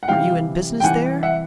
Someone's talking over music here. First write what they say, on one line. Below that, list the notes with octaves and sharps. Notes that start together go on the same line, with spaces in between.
"Are you in business there?"
F#5
C3 E3 G3 F5 G5
G5
C3 E3 G3 F#5 G#5
E5 F#5